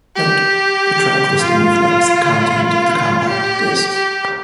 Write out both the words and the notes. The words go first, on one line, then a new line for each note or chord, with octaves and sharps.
Note: The track listing reflects the content of the compact discs.
G4
F4
F4
G4
G4